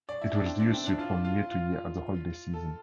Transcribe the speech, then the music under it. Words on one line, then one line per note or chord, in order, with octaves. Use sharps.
It was reissued from year to year at the holiday season.
D5
E4
D4
C4
D4
C4
D4
F4
F4
F4
A4